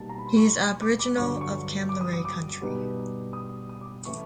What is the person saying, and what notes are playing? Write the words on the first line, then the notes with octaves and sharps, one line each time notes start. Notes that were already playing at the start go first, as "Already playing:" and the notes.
He is aboriginal of Kamilaroi country.
Already playing: B2 G3 A#3 D#4 A5
A#5
B5
C6
C#6
D6
D6
G2 D3 F#3 C#6
C#6
D6
D#6
D#6
D6
B2 G3 B3 D#4
D#6
D#6
D6
E3 A3 C#4 E4 C#6